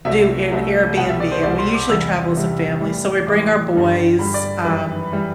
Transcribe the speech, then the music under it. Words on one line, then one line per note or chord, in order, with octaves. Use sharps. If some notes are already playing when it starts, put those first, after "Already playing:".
do an Airbnb, and we usually travel as a family, so we bring our boys, um,
C2 C3 F#3 A3 E5
C2 C3 F#3 A3
C2 B2 G3 F#5
E5
D5
C5
C2 B2 G3 D5
C6
D6
E2 C3 G3 E6
E2 C3 G3
A2 E3 G3
A2 E3 G3 D6
G2 D3 G3
G2 D3 G3 B5
D5
F#2 E3 G3 B4
E3 G3